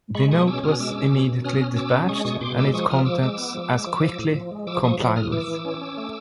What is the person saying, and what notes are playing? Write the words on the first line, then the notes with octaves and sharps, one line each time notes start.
The note was immediately dispatched, and its contents as quickly complied with.
G#3 B5 C#6
B2 C#6 D#6
C#4 D6 E6
B2 D#6 F6
G#3 D6 E6
C#4
B2
B2
C#4 D#6 F6
C#4
B2 D6 E6
C#4
G#3 C#6 D#6
B2 C#6 D#6
B2 C6 D6
G#3 D6 E6
F3 C#6 D#6
F3 D#6 F6
F3 D6 E6
G#3 D6 E6
B3
F3
G#3
F3
F3
A2
F3
G#3
F3 D6 E6
F3 C#6 D#6
F3
A2 D#6 F6
E3 D6 E6
E3
C#4
C#4
A3